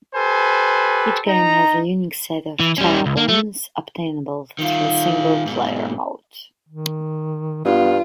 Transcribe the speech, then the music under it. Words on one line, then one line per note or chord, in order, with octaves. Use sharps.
Each game has a unique set of Charaboms obtainable through single player mode.
G4 A4 B4 C5 G#5
D#4 A#5
E3
G3 C#4
C#2
A#3
A3
D#3 F4
G#2 B2
D#3
G2 B3 F4